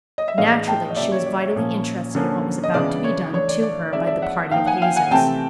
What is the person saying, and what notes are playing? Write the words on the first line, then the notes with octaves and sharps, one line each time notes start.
Naturally she was vitally interested in what was about to be done to her by the party of hazers.
D#5
E5
A2 E3 G#3 B3 D4 D#5 F5
G5 A5
D#5
C#3 F#3 A#3 D5 E5
C#5
D5
C#5
A#2 F3 A#3 C#4
D3 F3 A#3 C#4
D#5
C#3 E3 G#3 B3 D4 D5
C#5
E3 A3 D4 C#5
D5
D5
F3 G#3 C4 D#4 D5 E5
D5 E5
E5 F#5
F3 A#3 D#4 F5 G5
F#5 G#5
F5 G5
F#5 G#5
C3 E3 A3 C4 G5 A5